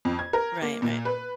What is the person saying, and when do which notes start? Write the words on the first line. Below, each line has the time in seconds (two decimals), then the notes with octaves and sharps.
right, right.
0.05 F2
0.19 G#6
0.33 A#4
0.62 A#3
0.82 A#2
1.05 B4